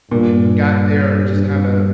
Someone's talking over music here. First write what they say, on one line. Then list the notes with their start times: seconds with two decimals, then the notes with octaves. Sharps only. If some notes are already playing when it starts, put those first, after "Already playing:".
got there and just kinda
0.11 G2 A#2